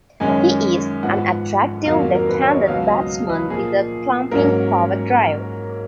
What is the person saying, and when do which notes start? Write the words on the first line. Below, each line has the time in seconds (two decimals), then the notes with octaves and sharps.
He is "an attractive left-handed batsman with a clumping cover-drive".
0.20 F#2 D#3 G#3 C#4 G#5
1.03 G#2 F3 B3 F#5
1.85 F2 D#3 F#3 A#3 F5
2.15 A#4
2.29 B4
2.42 C#5
2.54 D#5
2.67 C#2 B2 F#3 B3 F5
2.88 D#5
3.29 B4
3.50 A#2 F3 A#3 G#4
4.31 G#2 F#3 A#3 C#4 A#4